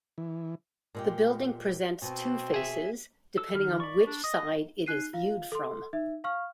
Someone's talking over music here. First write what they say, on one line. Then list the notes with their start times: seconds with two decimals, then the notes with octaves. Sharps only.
The building presents two faces, depending on which side it is viewed from.
0.18 E3
0.95 A#2 G#3 G4
2.02 B2 C4
2.54 G#4 E5
3.38 A4 E6
3.55 D#3 F6
3.80 D5 B5 C#6
4.07 D4
4.24 D#5 D#6
4.86 D#4 F#6 C7 D#7
5.13 F4 F5
5.52 A4 C6
5.93 D#4 E5
6.24 F5 C#6 F6